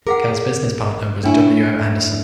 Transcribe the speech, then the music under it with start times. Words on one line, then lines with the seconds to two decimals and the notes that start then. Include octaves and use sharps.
Kell's business partner was W. O. Anderson.
0.07 G#4 A#4 F5 F#5
1.23 A3 C#4 D4 E4 G5 G#5